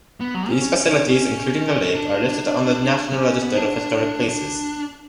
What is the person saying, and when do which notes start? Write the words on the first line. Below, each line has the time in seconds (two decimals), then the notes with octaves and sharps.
These facilities, including the lake, are listed on the National Register of Historic Places.
0.20 B3
0.34 F#3
0.49 C#4
1.07 C#4
1.95 D4
3.13 C#4
3.42 B3
3.56 D4
4.29 D4